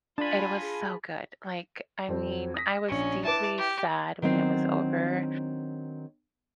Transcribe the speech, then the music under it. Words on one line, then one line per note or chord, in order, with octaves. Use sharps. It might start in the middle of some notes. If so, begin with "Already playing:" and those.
and it was so good, like, I mean, I was deeply sad when it was over.
D4 F4 G#5 A5 B5 F#6 A6
G#4
F2 C4
D#6 A#6 B6
A#1 C#4 C#7
E4 B4 A5 D6
G4
D#3 F#3 B3 C4 D4